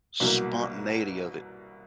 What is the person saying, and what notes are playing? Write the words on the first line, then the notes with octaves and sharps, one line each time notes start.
spontaneity of it,
C2 B2 F#3 A#3